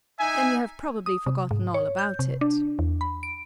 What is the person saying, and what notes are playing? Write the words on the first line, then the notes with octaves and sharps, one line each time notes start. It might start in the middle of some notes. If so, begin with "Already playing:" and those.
"Then you have probably forgotten all about it."
D#4 E5 G#5
D#6
C3
G#2
C#5
G6
C3
D4
E2
B5
D7